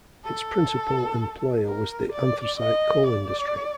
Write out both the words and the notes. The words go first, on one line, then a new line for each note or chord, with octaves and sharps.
Its principal employer was the anthracite coal industry.
A4
A#4
D5
D#5
D5